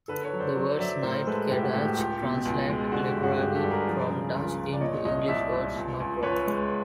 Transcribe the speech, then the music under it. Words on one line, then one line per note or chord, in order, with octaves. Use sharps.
The words 'niet gedacht' translate literally from Dutch into the English words, 'not thought'.
D3 A4 B4
B4 C#5
F#3
C5 D5
F#3
F#3 D5 E5
A2 A#4 C5
G#3 A4 B4
A2 G4
F#4
A2 G4
G4
C#2 G4
B2
C#2
G#3
D3 F#4
G4
G2
F#4 G#4
G2 G4
G4 A4
G3
G#4 A#4
F3
C#3
C#2
C#2
D5
A#2 C#5 D#5
C2 C#5 D#5
C2 D5 E5
C2
C#2
C#2
C#2 B4 C#5
G#3